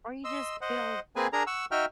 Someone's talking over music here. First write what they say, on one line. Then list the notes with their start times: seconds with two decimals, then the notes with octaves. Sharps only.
Or, you just feel
0.24 D#5 C6 E6
0.61 C5 D#5 F#5
1.16 A#3 C4 G#4 B4 G#5
1.33 D4 G#4 A#4 A#5
1.47 F#5 C#6 E6
1.71 D#4 F#4 E5 G5 F6